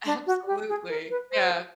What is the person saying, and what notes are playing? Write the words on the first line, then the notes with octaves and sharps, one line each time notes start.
Absolutely, yeah.
D4
F#4
G4
G#4
A#4
B4
C5